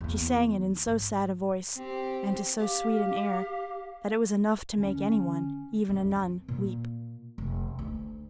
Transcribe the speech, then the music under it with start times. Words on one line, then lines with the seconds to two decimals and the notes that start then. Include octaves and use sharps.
She sang it in so sad a voice, and to so sweet an air, that it was enough to make any one, even a nun, weep.
0.01 E2 A#3
0.86 G#2
1.75 C4 G4
2.59 G4 F5
4.78 D2 D3 C#4
5.07 D3
5.89 F#2
6.11 C4
6.48 A#2
7.38 F1
7.79 D2